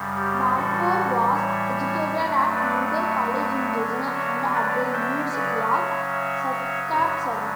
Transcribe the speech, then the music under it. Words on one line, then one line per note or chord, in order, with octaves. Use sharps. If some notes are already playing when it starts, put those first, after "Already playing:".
Balfour was educated at Luther College in Regina and at the University of Saskatchewan.
Already playing: F#2 C#3 G3
G4
A2 E3 G3 F#4 A4
C#5 E5
G2 F#3 A3
B4 D5
C#5 E5
D3 F#3 C#4
C#5 E5
B4 D5
E5 G5
C#3 F#3 C#4 B4 D5
C#5 E5
C#5 E5
C#5 E5
G2 D3 F#3 C#4 C#5 E5